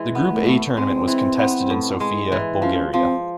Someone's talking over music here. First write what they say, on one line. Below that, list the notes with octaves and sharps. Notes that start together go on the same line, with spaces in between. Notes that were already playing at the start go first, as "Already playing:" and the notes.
The Group A tournament was contested in Sofia, Bulgaria.
Already playing: E3 G#3
B3
A3
A2
G#3 C4
E3
B3
A2
G#3
E3
F3 C#4
F3 C4